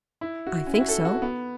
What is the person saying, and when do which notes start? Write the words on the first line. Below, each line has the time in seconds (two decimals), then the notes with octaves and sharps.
"I think so."
0.21 E4
0.47 F#4
0.67 C#4
0.74 E4
0.81 F#4
0.89 A4
1.05 F#4
1.22 B3